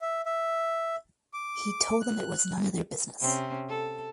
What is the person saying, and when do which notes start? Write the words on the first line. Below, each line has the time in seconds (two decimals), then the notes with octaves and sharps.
He told them it was none of their business.
0.01 E5
0.26 E5
1.34 D6
2.01 F#6
3.21 C3 C4 C#4
3.69 A4